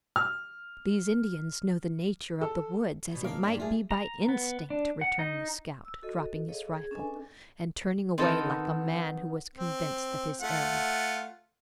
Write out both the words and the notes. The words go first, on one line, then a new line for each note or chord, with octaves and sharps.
"These Indians know the nature of the woods, as it might be by instinct!" returned the scout, dropping his rifle, and turning away like a man who was convinced of his error.
F6
A4
E2 B2
A#3 A4 F5
G2 A#2 G3 D4
A3 F4 G#4
A#5
B3
D4
F#5
D#4
E6
F#4 A4 D#5
G#4 A4 C#5 D#5 F5
G#4
C#4 D4 A4 B4 D#5 G#5
D#3 B3 C4 D#4 A4
C4
A3 F4 F#5